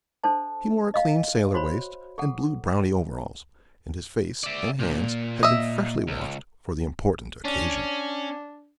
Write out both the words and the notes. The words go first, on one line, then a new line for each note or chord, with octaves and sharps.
He wore a clean sailor waist and blue brownie overalls, and his face and hands had been freshly washed for the important occasion.
D4 A4 C5 A5
D#5 F5
F#4 C5 C#5 B5
G#4 A4 F#5
D5 E5
A#2
D#5 E5
C#2
C#4 D4